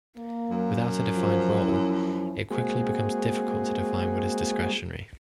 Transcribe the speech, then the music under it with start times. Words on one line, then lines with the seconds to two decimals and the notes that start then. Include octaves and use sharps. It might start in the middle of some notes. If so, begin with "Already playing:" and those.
Without a defined role, it quickly becomes difficult to define what is discretionary.
0.16 A#3
0.50 F#2
1.14 F3
1.61 F3 C#4 E4
2.51 G#3 A#3 C4 F#4 G#4